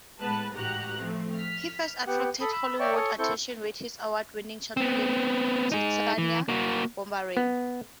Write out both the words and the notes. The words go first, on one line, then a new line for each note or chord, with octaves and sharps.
He first attracted Hollywood's attention with his award-winning short film "Titsiana Booberini".
A2 G#3 B3 B4 A5 F#6
A1 G#2 F#4 G4 A#5 F#6
F3 A3 C4
F6 B6
B3 G4 F#5
A4 B5 D#6
B5 E6
C#5 D5 E5 G5 C#6
A4 C#5 G#5 C#6 D#6
C4 E4 A4 C#6 G6
B3 C4
D#4 G#4
E3
A#3 F#4
B3